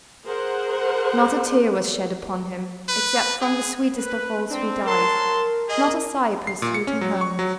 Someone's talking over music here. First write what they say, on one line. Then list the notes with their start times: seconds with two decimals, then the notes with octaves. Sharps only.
Not a tear was shed upon him, except from the sweetest of all sweet eyes; not a sigh pursued him home.
0.24 G#4 A#4 C5 F#5
2.89 B4
3.41 G#4
3.96 B4
4.50 C4 D4
4.86 F#3 A#4 A5 C6
5.69 G#4 D#5
6.47 C7
6.62 A#2
6.74 C#7
6.87 C#4
7.01 F#3
7.21 C#6
7.39 F#3